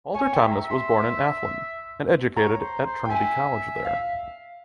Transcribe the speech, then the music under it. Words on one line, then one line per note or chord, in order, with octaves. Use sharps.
Walter Thomas was born in Athlone and educated at Trinity College there.
C#5 G#5
C#5 G5
E5
A#5
E5
C6
C6
C#5 A#5
C5
C5
G5
E5 G#5
F5